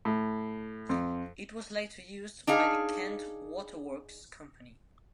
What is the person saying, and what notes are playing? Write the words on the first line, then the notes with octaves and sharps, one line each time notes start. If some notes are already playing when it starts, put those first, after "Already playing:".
It was later used by the Kent Waterworks company.
A2
F2
D4 D#4 G#4 F5